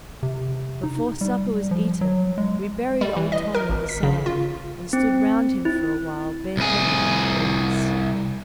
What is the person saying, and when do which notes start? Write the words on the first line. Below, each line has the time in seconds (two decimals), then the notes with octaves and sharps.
Before supper was eaten we buried old Tom in the sand and stood round him for a while bare-headed in the breeze.
0.23 C3
0.83 D#4
1.21 G3
1.71 F3
2.01 F#3
2.38 G#3
3.01 G3
3.17 E3
3.32 D#5
3.55 A#4
3.69 G#1
3.89 B6
4.03 C#3
4.26 F4
4.93 C4
5.65 E4
6.57 C2 G#4